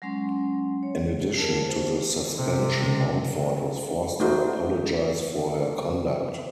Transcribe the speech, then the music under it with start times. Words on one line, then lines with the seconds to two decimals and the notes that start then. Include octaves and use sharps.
In addition to the suspension Mountford was forced to apologise for her conduct.
0.02 F#3 G#3 C#4 C6
0.83 C#5
1.37 F4 G#4 A#4 A5
1.66 C5
2.36 C3
4.20 A3 D#4 F#4 C5